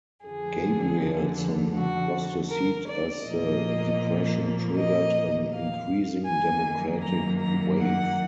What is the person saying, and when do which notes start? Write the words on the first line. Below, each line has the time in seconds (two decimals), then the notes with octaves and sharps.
Gabrielson lost his seat as the Depression triggered an increasing Democratic wave.
0.24 F2 D3 F3 G#4
1.75 F#4
2.50 A#4
2.87 D5
3.26 A#2 F3 A#3 D#5
4.76 D#5
5.52 F5
6.27 F#2 D#3 F#3 A#3 G#5
7.02 A#5
7.39 A#5
7.78 F#5